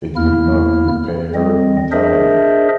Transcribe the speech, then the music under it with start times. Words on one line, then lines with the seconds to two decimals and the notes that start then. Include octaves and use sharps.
It did not repay her entirely.
0.16 E2 A#3 E4 F6
1.34 G3 C4 D#5
1.92 D4 G#4 A#4 C5 D#5 E5